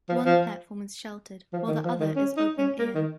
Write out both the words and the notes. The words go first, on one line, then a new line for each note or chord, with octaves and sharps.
One platform is sheltered while the other is open air.
F3
F3
F3
D#3
F3
D#3
C#4
D#4
C#4
A#3
D#3